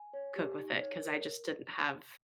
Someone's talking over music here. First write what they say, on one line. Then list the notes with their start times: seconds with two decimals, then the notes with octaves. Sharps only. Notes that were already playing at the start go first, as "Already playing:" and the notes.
cook with it 'cause I just didn't have
Already playing: G#5
0.13 C#5
0.36 G4
0.59 D#4
0.81 C#5
1.03 A#4